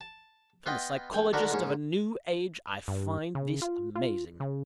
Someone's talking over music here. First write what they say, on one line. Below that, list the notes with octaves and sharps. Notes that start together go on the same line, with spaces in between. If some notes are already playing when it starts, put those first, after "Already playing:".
From the Psychologist of a New Age I find this amazing.
A5
B3 F4 B4 D#5 G5
A#1 G5 G#5
D3 D#3 D4 F#4 A#4 B4
A#1 G#2 C#4
G2
C#3
F4
F4
C#3